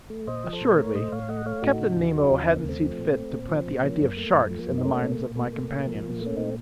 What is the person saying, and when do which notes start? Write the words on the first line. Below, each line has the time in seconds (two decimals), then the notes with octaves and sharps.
Assuredly, Captain Nemo hadn't seen fit to plant the idea of sharks in the minds of my companions.
0.10 A3
0.27 A#2 C5 D#5
0.44 F3
0.53 A4 C5
0.61 A#2
0.78 A3 A#4 C#5
0.95 A2 C5 D#5
1.12 A2 C#5 F5
1.28 A3 D#5 F#5
1.46 A3 C#5 F5
1.62 A2 D#4 F#4
1.80 C#3
1.96 D#2
2.14 F#3
2.30 D#2 C#4 F4
2.43 C#3 C4 D#4
2.57 A#3
2.64 D#2 A3 C4
2.81 F3
2.99 A#2
3.15 A3
3.33 A#2
3.49 F3
3.66 A#2
3.83 F3 A#3 C#4
4.01 F#2
4.09 A#3
4.17 A3
4.34 F#2 A3
4.50 F3
4.59 A#3
4.68 F#2
4.78 D#4
4.85 A3 A#3 C#4
5.02 A#2
5.10 A#3
5.19 A#2
5.36 A3 A#3
5.52 A3
5.69 A#2
5.86 F3
6.03 A#2
6.20 A3
6.26 C#4
6.37 A#2 C4 D#4